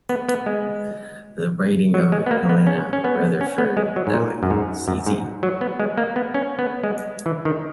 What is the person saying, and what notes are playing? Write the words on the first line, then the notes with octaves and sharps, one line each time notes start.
The writing of Helena Rutherfurd Ely, C. Z.
B3
B3
G#3
F#3
G#3
B3
A#3
B3
C#4
C#4
B3
C#4
B3
G#3
F#3
G#2
A#2
F#2
G#2
F#2
G#2
F#3
B3
G#3
A#3
B3
C#4
B3
G#3
E3
D#3